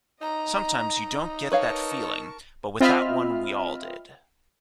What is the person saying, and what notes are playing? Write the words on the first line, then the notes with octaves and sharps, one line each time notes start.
Sometimes you don't get that feeling, but with that one we all did.
D#4 D#5 A#5
A#4 B4 C#5 F5 A5 C#6
C4 F4 D#5 E5 B5 F6